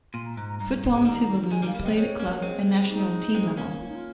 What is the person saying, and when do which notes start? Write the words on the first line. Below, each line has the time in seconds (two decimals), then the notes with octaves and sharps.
Football in Tuvalu is played at club and national team level.
0.13 A#2 C6
0.25 A#5
0.37 G#2 A#5
0.49 A#5
0.59 G2 A#5
0.83 G#2
0.91 G#3 A#5
1.05 D#3 G3 A#5
1.50 F3 G#3 G#5
1.62 D#3 G3 F5
1.75 G3 A#3
1.82 G#3 C4 D#5
1.96 G#3 C4 C#5
2.20 A#3 C#4
2.42 G#3 C4
2.89 D#4
3.35 G#3 C4
3.57 A#3 C#4
3.80 F4
3.87 D#4
3.96 F4